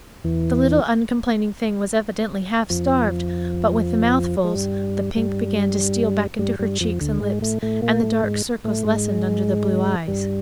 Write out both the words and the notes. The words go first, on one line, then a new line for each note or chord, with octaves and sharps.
The little uncomplaining thing was evidently half starved, but with the mouthfuls the pink began to steal back into her cheeks and lips, and the dark circles lessened under the blue eyes.
E2 E3
F2 F3
G#3
G2 G3
G2 G3
G2 G3
G2 G3
F2 F3
D2 D3
G#2 G#3
A2 A3
A2 A3
A#2 A#3
A2 A3
G#2 G#3
A2 A3
G#2 G#3
G2 G3